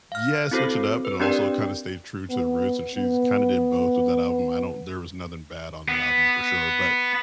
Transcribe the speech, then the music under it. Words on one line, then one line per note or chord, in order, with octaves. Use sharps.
yeah, switch it up, but also kinda stay true to their roots, and she's kinda did both with that album. I don't there was nothing bad on that album for sure, but
F5 F6
C4 E4 F#4 A4 C5 C7
B4
C4 D4 G4 A#4 D5 G5
B3
B3
B3